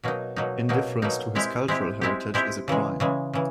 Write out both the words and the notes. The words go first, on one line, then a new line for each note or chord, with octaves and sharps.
Indifference to his cultural heritage is a crime.
B2 F#3 A#3 D#4
B2 F#3 A#3 D#4
B2 F#3 A#3 D#4
B2 F#3 A#3 D#4
G#3 C4 E4 G4
G#3 C4 E4 G4
G#3 C4 E4 G4
G#3 C4 E4 G4
C#3 E3 G#3
C#3 E3 G#3
C#3 E3